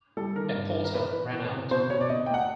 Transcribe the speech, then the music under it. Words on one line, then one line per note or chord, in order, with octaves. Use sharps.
A porter ran out.
G3 A4
D#3 A#4
G2
D#3
A#4
E3 B4
E3 B4
E3
C3
B2 C5
B2 C#5
D5
B2 D#5
G5
A3 F#5